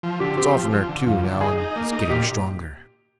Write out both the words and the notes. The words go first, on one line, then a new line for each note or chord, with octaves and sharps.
It's oftener, too, now, and he's getting stronger.
F3
D3 G4
C4 G4
F3
F3
D3
F2 F4
D3
D#4 G#4
D#4
A#3
D#4
A#2 G4